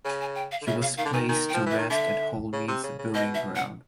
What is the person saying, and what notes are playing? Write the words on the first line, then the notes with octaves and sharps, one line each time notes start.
He was placed to rest at Holmead's Burying Ground.
C#3 G#5
G#5
G5
F5
D3
C#3 E5
F5
D#3 F5
D3
D#3 G#5
D#3 G#5
G5
F3
E3 E5
D#3
D3 E5
C#3
C3
C#3
C#3
B2 D#5
E5
F#5